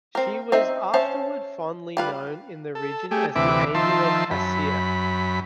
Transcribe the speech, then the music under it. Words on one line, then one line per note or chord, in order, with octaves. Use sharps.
She was afterward fondly known in the region as the "Angel of the Cassiar".
C4 A#4
C4 D#4 E5
C#4 C5 C#5 E5 A5
G3 F4 B4
A4
A3 G4 G#4
D2 C3 E3 B4 E5 D6
D#3 F3 E5 A5 C6
F#2 B5